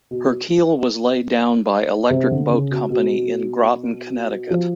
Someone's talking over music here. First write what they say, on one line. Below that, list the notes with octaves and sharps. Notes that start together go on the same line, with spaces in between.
Her keel was laid down by Electric Boat Company in Groton, Connecticut.
B2
C3
D3
C#3
B2
B2
F3